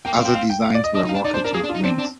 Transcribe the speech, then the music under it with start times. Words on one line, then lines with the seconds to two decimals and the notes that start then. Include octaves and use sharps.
Other designs were rockets with wings.
0.05 A#3 G5
0.15 F5
0.19 C4
0.25 G5
0.35 F5
0.50 G5
0.64 F5
0.75 D5
0.84 D#5
0.94 D4 D#5
1.05 D#4
1.09 F5
1.14 D4
1.24 D#4 D5
1.34 D4 C5
1.44 D4 A#4
1.53 A#3 G#4
1.63 D4
1.69 F4
1.74 D#4
1.83 C4 D4
1.98 D4